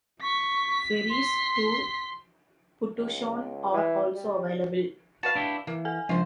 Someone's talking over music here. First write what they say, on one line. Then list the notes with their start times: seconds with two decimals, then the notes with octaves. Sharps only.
Ferries to Putuoshan are also available.
0.22 C#6 B6
1.10 C6
2.97 C#2
3.72 E3
4.14 G3
5.23 F#4 B4 F5 A5
5.35 D4 E4 G4
5.67 E3 A#3
5.85 A4 G#5
6.09 C#2 F3 F4 C5